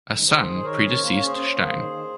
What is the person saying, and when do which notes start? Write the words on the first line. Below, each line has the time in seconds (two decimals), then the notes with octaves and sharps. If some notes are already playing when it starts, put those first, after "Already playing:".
A son predeceased Stein.
0.10 D#3
0.27 D#3 G#4 C5
0.46 D#3
0.64 D#3 A#4 C#5
0.82 C#4
0.99 A#3 C5
1.12 C#5
1.17 C#4
1.24 G#4 C5
1.36 C#4
1.54 A#3
1.72 D#3
1.90 D#3